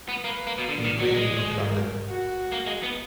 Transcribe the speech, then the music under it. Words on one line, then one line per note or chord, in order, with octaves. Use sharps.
B. Gridley of London.
B3
A#3 B4
A#3
B2
D3 D5
D#3
F#3
F#3
G#3
A#4
F#4
A#3
G#3
B3